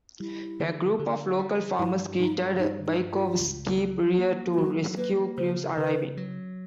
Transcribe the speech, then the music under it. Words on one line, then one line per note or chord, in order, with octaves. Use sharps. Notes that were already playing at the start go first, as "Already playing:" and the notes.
A group of local farmers greeted Bykovsky prior to rescue crews arriving.
G3 E4
D3
D3
G3
G2 E4
G2 D#4
G2 D#4
D#4
G3
F4
C#2
F#3
A#3 F#4
F4
F#3 F#4
A#3 B4
C#3 C5
C#3 B4
F#3